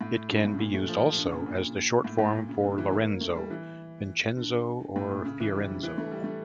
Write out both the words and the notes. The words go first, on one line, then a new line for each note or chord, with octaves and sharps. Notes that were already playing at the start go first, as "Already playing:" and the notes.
It can be used also as the short form for Lorenzo, Vincenzo or Fiorenzo.
A2
G2
A2
C#3
A#2
A3
F3
D3
C#3
A#2
C#3
A#2
A2
A2
A#2
C#3
D3
E3
A#3
A3
G3
E3
D3
A2
A#2
C#3
E3
G3
D3
E3
A3
G3
A3